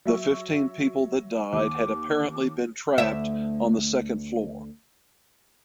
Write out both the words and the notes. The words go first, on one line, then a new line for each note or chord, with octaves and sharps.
The fifteen people that died had apparently been trapped on the second floor.
F#3 E5 C#6
D#2 D6
D2 E5